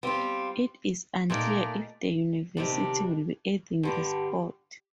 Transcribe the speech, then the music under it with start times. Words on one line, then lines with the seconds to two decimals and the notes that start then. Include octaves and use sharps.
It is unclear if the University will be adding the sport.
0.03 G3 C4 F4
1.30 A#2 A3 D#4 A#4 D5
2.57 C3 D#3 G3 D4
3.83 G2 D3 G3